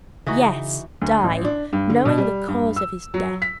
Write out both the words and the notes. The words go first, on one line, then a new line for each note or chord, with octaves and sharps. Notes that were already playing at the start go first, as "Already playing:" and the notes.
Yes, die, knowing the cause of his death.
C#3 E3 D#4 F#4
D2
A1
D4
G2
D3
B2
G3
G2
E6
F#3
B6